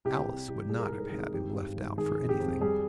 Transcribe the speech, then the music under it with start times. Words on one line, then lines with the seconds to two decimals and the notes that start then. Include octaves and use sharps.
Alice would not have had him left out for anything.
0.05 C2 G4
0.26 C2
0.48 C2
0.69 G3 G#4
0.80 A#4
0.89 G#2 G#4
1.00 A#4
1.09 G#1 G#4
1.33 G#1 G4
1.54 G2
1.76 G#1
1.97 D#3 G#4
2.19 F2
2.29 G4
2.40 F2
2.61 G3 G#4